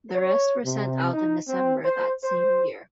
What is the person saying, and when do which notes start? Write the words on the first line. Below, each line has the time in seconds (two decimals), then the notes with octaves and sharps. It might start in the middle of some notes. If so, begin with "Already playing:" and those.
The rest were sent out in December that same year.
0.15 C#5
0.65 C3
1.13 D#4
1.48 C4
1.85 C5
2.23 C5